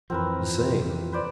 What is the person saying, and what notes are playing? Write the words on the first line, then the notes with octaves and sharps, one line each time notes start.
"The same."
F2 E3 F3 C4 A#4 B4
B4 C5 D5